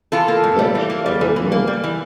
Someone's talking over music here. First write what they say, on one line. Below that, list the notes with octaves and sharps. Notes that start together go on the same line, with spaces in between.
That I don’t know.
E3 F4 A4
A#3
A2
G3
E3
A#3
G3
E3
E3
A#3
G3
E3